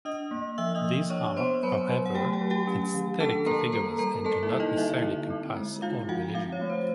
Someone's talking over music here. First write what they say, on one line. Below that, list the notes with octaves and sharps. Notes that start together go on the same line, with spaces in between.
These are, however, synthetic categories and do not necessarily encompass all religions.
D4 D#5 D#6
A#3
F3 E5 E6
D#5 D#6
F3
D4 C#5 C#6
B3 C5 C6
F#3 B4 B5
F#3
F#5
A3 G4 G5
G4 G5
F#3
G4 G5
C#4
D#3
D4 A4 A5
A#3 A#4 A#5
G3 A#4 A#5
G3 A#4 A#5
A#3 A4 A5
E4 E5
G3
D#4 D#5
D3 E4 E5
D3
C4
G#3
D#4 F4 F5
F3 F#4 F#5
C4 F4 F5
C#5
A3
C5